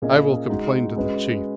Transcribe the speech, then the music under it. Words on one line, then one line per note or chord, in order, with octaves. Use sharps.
I will complain to the Chief.
A#2 A#3 C#4 G#4 D#5
G#3 D#4 F#4
G#3 C#4 F#4 B4 D#5